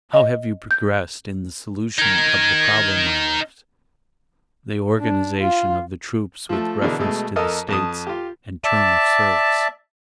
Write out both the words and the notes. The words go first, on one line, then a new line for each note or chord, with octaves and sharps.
How have you progressed in the solution of the problem I left--the organization of the troops with reference to the States, and term of service?
D#5
G6
D#4 A#4 G#6
D4
F4
F3 A3
B2 D3 E3 D4 G#4 A#4
B2 G#3 A3
F2 A4 A#4 D#5 D#6
F2 A5 D#6
F4 G4
D5 E5 A5